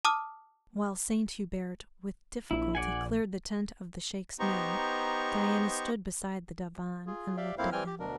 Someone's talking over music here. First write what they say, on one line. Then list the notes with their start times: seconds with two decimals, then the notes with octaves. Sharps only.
While Saint Hubert, with difficulty, cleared the tent of the Sheik's men Diana stood beside the divan and looked at him.
0.05 A5 D6 D#6 F6
2.51 A#1 E4
2.75 D5 F#5 G#5
4.40 B3 D#4 G4 C5 A#5 C#6
7.07 F4 G#4
7.37 G4 D5 E5 F5 G5
7.58 F2 A#3 C4 E4 C5 F5
7.72 E3 G3 C4 G5 G#5 F6
7.86 G4
8.00 D2 B2 D4 A#4